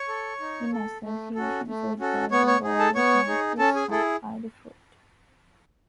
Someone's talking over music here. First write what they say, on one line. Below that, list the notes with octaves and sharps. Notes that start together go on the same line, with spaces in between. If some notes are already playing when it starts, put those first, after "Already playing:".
In association football, the ball is mostly struck by the foot.
Already playing: C#5 C#6
A4
D#4
A4
A3
C#4 F#4 A4
A3
C#4 F#4 A4
B3 C#5 C#6
C#5 C#6
D#4 G#4
A4 A5
B3 C#5 C#6
D#4 G#4
C#4 A4 A5
G#4 G#5
E4 G#4 A4